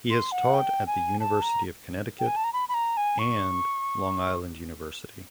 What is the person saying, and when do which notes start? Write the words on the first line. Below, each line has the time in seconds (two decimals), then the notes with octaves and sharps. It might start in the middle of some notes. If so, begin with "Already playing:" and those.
He has taught at the University of Connecticut and Long Island University.
0.10 C6
0.32 F#5
0.54 G5
0.87 G#5
1.20 A5
1.42 A#5
2.20 G5
2.27 G#5
2.36 A5
2.44 A#5
2.53 B5
2.69 B5
2.74 A#5
2.97 G#5
3.19 C#6